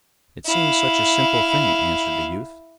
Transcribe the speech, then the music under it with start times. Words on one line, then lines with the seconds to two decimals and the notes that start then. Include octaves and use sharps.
"It seems such a simple thing," answered the youth.
0.46 E4 F5